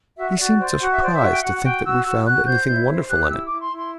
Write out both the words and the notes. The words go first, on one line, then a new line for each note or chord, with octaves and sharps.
He seemed surprised to think that we found anything wonderful in it.
F#4 E5
E5
F#4 D5
C5 D5
F#4 F#5
E5
C5 D5
E5
F#4
G5
F#4 F#5
F#4 G5
F#4 E6
F#4 E6
F#4 F#6
C5 G6
E4 G6
C5
G4 F#6
E4 E6
D6
E4
C6
E4 C6